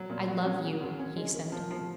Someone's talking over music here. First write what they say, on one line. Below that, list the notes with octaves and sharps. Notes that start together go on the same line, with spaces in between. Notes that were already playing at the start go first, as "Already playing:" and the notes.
'I love you,' he said.
Already playing: F#3
A#2
F#4
C#4
C#3
F#2
C#4
G#3
A#3
F3
F3